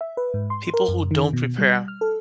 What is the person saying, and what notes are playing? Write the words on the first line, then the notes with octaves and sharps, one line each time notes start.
people who don't prepare
E5
B4
G#2
C6
A#4
F#2
D#3
B2
G3
F6
A4